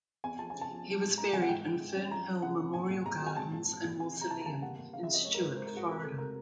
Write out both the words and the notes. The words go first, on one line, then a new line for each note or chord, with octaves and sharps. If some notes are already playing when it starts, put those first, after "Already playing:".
He was buried in Fernhill Memorial Gardens and Mausoleum in Stuart, Florida.
E2 G#5
F3 A5
G#5
C#3
A5
F3
G3
G#2
G3 A#5
E3 G#5
F#5
G#2 G5
F3
G#2
C#4
F3 A#5
F3
C#3 F#5
F1
A#1 G#5
A#1
A#1 A#5
F#3 G#5
G#2 A5
A#1
G#2
A#1
C3 G#5
E3
A#5
E3 A5
A#5
G3 A5
D#2 F#5
D#2
C#3 F5
E5
F3
D#5
G#3 C#5
A#4
G#2 B4
G#3 C5
G#2 A#4
F#4
F1 A#4
F1 A4
C3 A#4